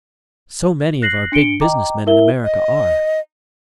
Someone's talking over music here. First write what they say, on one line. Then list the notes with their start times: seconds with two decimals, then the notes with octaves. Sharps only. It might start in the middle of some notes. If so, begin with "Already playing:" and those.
So many of our big business men in America are.
1.02 F#6 A#6 C7 F#7
1.32 D4 C#7 D7 G7
1.61 D#5 G5 A#5 D6
2.06 E4 A#4 E5 G7
2.44 D#5